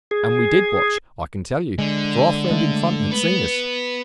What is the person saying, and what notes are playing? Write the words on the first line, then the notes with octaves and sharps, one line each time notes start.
And we did watch, I can tell you; for our friend in front had seen us.
G#4
D3 G#3
G#3 A3
B3